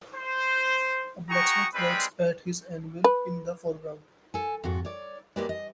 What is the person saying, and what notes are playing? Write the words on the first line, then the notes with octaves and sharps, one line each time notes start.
A blacksmith works at his anvil in the foreground.
C5
F#4 G#4 G5 A#5 C#6 D#6
G3 G#3 C4 B4 B5 C6
B4
A4 G#5
F2 G#2 F#4 A4
C#5 D5
F#3 G#3 A#3 G4 B4 D5
D#5